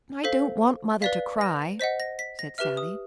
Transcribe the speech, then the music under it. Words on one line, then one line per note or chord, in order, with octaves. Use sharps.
"I don't want mother to cry," said Sallie.
A4 C5 F5 B6
B4 D5 F5 B6
A#6
C5 D#5 F#5 B6
A#6
B6
A#6
G4 B4 E5 F6
D#6